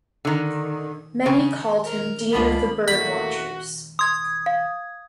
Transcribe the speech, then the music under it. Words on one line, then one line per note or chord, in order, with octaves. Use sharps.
Many called him Dean of the Birdwatchers.
D3 D#3
C#3
A#4
C#2 B3 D4 F4 B5
E2 A3 A#3 F#4 B5
C6 D#6 G#6
F5